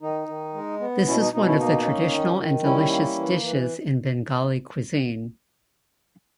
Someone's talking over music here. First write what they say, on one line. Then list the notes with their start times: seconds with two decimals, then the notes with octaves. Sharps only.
This is one of the traditional and delicious dishes in Bengali cuisine.
0.02 D#3 D#4
0.28 D#3
0.54 G#3
0.80 B3
1.06 B2 C#4 E4
1.20 D#4
1.33 B2 D#4
1.46 C#4 E4
1.59 A#3 D#4
1.85 C#4
2.11 D#3
2.38 D#3
2.63 G3 C#4 E4
2.90 A#3
3.16 E3
3.42 E3